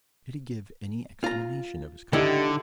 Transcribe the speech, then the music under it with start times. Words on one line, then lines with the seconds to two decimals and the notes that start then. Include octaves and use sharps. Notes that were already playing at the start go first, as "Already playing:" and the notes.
"Did he give any explanation of his conduct?"
1.24 F4 A#5
2.13 D3 D#3 G3 E4